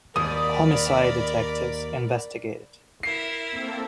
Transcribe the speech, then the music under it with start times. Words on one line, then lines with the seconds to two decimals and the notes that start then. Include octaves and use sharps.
Homicide detectives investigated.
0.16 D#2 A#4 D5 B5 D#6
3.03 E4 A#4 E5 C7
3.50 A#3 C4 A4